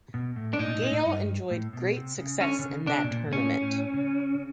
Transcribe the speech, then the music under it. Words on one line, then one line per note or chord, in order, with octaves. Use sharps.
Gayle enjoyed great success in that tournament.
B2
A2
D4
A2 D#4
A#2
A2
A#2
A2
G2
A2
B2
C3
C#3
D3 C#4
D3
C#3
C3 D4
B2
A#2
A#2
A2 C#4
A2
C#3